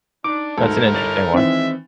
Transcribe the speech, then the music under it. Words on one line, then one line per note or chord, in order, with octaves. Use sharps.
That's an interesting one.
D4 D#4 D6
D2 G#2 D#4 E4 A4 A#4
G1 A6 F7
D#3 E3 G#3 C4 E5